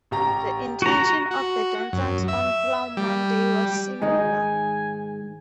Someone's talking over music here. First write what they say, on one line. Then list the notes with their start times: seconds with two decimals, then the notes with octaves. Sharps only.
The intention of the dancers on Plough Monday was similar.
0.11 A1 G4 A#5
0.82 F#4 A#5 D#7
1.31 F#4
1.93 F#2
2.28 E5
2.97 G3
4.02 G#2 D#3 G#3 D#4 G#5